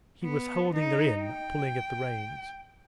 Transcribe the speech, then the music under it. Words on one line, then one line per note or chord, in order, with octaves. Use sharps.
He was holding her in, pulling at the reins.
B3
D#4
G5